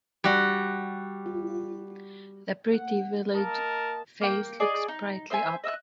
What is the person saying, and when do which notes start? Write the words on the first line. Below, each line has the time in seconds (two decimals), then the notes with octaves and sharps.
The pretty village face looks brightly up.
0.24 G3 F#4
2.73 F#5
3.35 A#3 A#4 D#5 A5
4.21 A#3 G5
4.60 G#4 D5 D#5
4.88 D#4
5.30 C5 D#5 E5 G#5
5.64 D#5 E5 E6 F#6